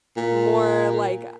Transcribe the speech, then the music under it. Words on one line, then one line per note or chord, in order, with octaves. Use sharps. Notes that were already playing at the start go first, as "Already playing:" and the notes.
more like a
A#2